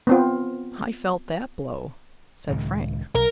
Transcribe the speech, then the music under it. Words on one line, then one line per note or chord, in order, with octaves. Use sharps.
"I felt that blow," said Frank.
B3 C4 F4
C#2 A2 D#3
B1 A#4